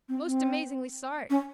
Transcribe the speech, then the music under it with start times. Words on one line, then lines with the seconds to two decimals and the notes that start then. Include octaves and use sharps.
Most amazingly sorry!
0.09 C4
0.26 C4
1.30 C#4